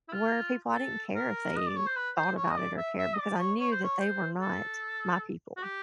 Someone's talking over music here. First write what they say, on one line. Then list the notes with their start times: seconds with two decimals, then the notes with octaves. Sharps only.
were people I didn't care if they thought about it or cared because I knew that they were not my people.
0.09 E4
0.13 F4
0.74 A4
1.15 A#4
1.57 D#5
1.67 D5
1.77 C#5
1.86 C5
1.96 B4
2.17 C5
2.37 C#5
2.50 D#5
2.57 D5
2.77 E5
2.98 E5
3.14 D#5
3.19 D5
3.39 C#5
3.60 C#5
3.72 C5
3.84 C#5
4.00 C5
4.40 A4
5.57 F#4
5.63 G4